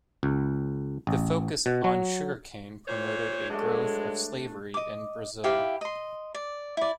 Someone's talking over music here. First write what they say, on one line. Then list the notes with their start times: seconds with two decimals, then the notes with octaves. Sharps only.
The focus on sugarcane promoted a growth of slavery in Brazil.
0.23 C#2
1.07 A1
1.66 B2
1.84 F#3
2.87 A#2 C5 C#5
3.49 G2 F#3 G#3 A3 D4
4.74 D#5 D6
5.44 E4 G4 F5
5.81 D#5 C6
6.34 D5
6.77 E4 D5